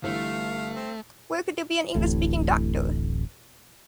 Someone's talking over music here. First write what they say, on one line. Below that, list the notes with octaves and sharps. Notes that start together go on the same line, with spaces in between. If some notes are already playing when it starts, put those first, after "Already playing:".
Where could there be an English-speaking doctor?
G1 G2 E3 A3 F5
C4
D1 A1 A2